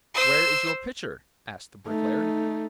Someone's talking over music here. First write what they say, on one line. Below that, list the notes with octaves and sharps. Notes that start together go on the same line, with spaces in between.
'Where is your pitcher?' asked the bricklayer.
C5 E6
A3 D#4